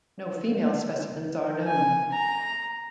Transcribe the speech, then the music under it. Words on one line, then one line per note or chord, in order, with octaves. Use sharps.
No female specimens are known.
G#5
A#5